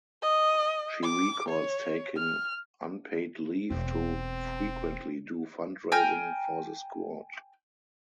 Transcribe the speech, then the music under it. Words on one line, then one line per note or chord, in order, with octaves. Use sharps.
She recalls taking unpaid leave to frequently do fundraising for the squad.
D#5
D6
C#5
F6
E1 C4
G5 G#5 A#5 F6